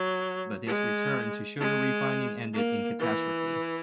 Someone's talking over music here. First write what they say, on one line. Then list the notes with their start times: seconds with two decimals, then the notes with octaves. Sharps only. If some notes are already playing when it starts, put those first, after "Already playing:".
But his return to sugar-refining ended in catastrophe.
Already playing: F#3
0.67 G#3
1.60 G#3
2.53 A#3
3.00 E3